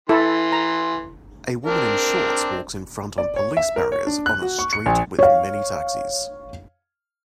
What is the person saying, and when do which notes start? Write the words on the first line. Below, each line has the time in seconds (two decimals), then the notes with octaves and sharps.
A woman in shorts walks in front on police barriers on a street with many taxis.
0.09 E3 E4 A4 C6
0.52 A#5
1.66 C4 D4 A#4
3.18 D5
3.36 C#5
3.57 E5
3.76 A#4
3.92 C#5
4.07 D4
4.26 F#6
4.42 F#4
4.59 C#6
4.73 C#7
4.86 A#1
5.19 C#5 F5